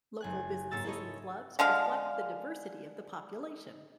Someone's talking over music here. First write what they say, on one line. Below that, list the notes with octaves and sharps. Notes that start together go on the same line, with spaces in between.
Local businesses and clubs reflect the diversity of the population.
F#1 G#5 F#6
G#2 A#3 C#5 E6 A6
E4 A4 C#5 D#5
D3 F3 G#3 F5